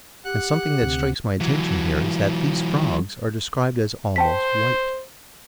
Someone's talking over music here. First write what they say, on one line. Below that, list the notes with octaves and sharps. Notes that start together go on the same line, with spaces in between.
And something that strikes my attention here is that these frogs are described as almost white.
G4 F#5 F#6
D2 C3
E3 F#3
C5 G5 A5 B6